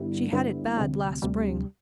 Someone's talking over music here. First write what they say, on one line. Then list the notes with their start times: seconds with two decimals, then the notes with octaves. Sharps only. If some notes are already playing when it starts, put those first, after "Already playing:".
She had it bad last spring.
Already playing: G2 D3 G3 B3 E4
0.32 G2 D3 G3 B3 E4
0.77 D2 C3 G3
1.22 D2 C3 G3